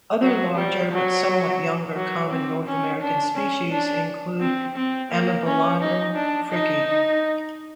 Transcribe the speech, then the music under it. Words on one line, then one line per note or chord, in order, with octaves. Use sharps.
Other larger but somewhat younger common North American species include "Amebelodon fricki".
F#3
G3
F#3
F#3
C4
C#4
D4
C#4
D4
C4
C4
A#3
C#4
D#4
D4
D#4